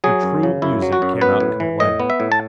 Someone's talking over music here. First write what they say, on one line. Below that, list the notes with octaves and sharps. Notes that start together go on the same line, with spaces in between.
The true music cannot complain.
F#3 G#4
F#2
C#3
F#2 E4
F#3
F#4
F#2
B3 B4
A2
E3
A2 D#5
B3
E5
A2
A5